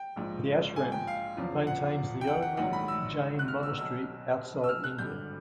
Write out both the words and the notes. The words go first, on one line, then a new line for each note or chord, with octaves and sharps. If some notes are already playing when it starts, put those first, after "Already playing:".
The ashram maintains the only Jain monastery outside India.
Already playing: G5
A#1 G#2 F3
G#5
G5
F5
E2 C#3 F3
F#5
G5
F#5
F#5
A#1 G#2 D#3 F#3 F#5
B5
E6
F#6
F6
E6
B1 B2 F#3 E6
E6
F6
F#6
G#1 G2 D3 G6